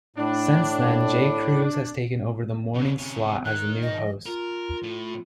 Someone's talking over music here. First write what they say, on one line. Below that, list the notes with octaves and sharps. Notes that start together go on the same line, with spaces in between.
Since then, J. Cruz has taken over the morning slot as the new host.
A2 D4
C#3 D4
C3 C#4
D#3 F#6
D#5
F4 A#4
A2